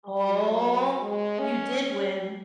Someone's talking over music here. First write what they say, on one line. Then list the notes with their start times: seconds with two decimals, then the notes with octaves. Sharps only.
Oh! You did win.
0.25 F#3
1.02 G#3
1.40 C#4